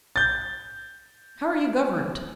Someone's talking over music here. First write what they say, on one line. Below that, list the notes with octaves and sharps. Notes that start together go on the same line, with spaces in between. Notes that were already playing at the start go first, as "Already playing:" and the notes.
How are you governed?
G6 A6